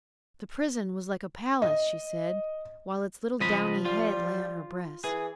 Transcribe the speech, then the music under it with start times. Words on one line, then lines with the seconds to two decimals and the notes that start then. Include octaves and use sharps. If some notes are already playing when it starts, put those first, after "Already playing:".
'The prison was like a palace,' she said, while its little downy head lay on her breast.
1.62 D#5
3.40 C#2 F3 D#5 B5
3.85 G3 F4
5.04 E3 G#4